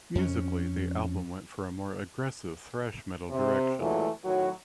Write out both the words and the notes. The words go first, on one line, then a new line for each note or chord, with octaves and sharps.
Musically, the album went for a more aggressive thrash metal direction.
F2 C#4
C3
E2 A#2 E3 F#3 G#3 A3
A2 D#3 F#3 F#4 C#5